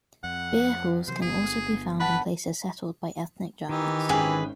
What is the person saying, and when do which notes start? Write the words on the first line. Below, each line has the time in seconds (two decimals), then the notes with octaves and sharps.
Beer halls can also be found in places settled by ethnic Germans.
0.24 F2 F#5
1.08 C3 E3 F#3 C5
1.22 G1 B3 G#4
2.00 B4 F#5 A5 B5
3.69 D#3 E3 D#4 G4
4.09 G#1 C#4 G#4 B4 G5